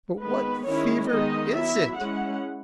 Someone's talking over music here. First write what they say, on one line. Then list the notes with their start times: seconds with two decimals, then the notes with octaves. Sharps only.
"But what fever is it?"
0.21 D#3 G#3 B3 B4
0.66 D#3 G#3 C#4 E4 C#5
1.09 D#3 G#3 B3 D#4 D#5
1.54 F#3 B3 E4 E5
1.97 G#3 C#4 E4 F#5